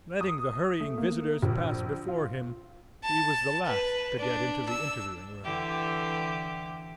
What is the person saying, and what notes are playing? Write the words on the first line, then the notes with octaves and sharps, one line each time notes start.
Letting the hurrying visitors pass before him, he was the last to get into the interviewing-room.
D#6
A3
A#3
A#1
F4
A5
B4
D4
E6
D3 E3 G4